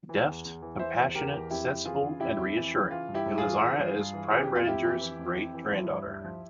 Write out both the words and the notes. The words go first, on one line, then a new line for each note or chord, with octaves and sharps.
Deft, compassionate, sensible and reassuring, Elizara is Prime Reidinger's great-granddaughter.
E3
E2
E2
E3
E3 C5 E5
E2
E2 G4 A#4
E3
F2 E4 G4
F2
E3 F4 G#4
C#3
F2 E4 G4
F2
E3
C#3
E3 F4
G2
E4 G4
G2
F4 G#4
E3
E3
G2
G2
E3
E3 G#4
G4
F2
F4
F2 E4 G4
E3
E3
F2
F2
E3
F3
G2
G2
F3